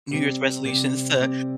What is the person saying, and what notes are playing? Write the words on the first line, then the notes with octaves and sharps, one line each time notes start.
New Year's resolutions to
C3 G3 C4
C3 G3 C4
C3 G3 C4